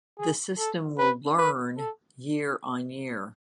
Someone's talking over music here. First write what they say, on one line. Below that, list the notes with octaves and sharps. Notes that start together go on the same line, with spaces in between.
The system will "learn" year-on-year.
G#4
A4
B4
B4
A4